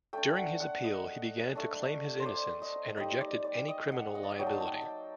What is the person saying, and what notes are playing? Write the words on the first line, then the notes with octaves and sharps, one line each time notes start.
During his appeal, he began to claim his innocence and rejected any criminal liability.
A3 D4 G5
F#5
F#5
D#5
A3 D4
C5
D5
D#5
G3 A#3 D#4 D#5
D5
D5
D#5
F#5
D#5
D5
D#5
F#3 A#3 D#4 G5
A5
G5
A5
G5
A5
G5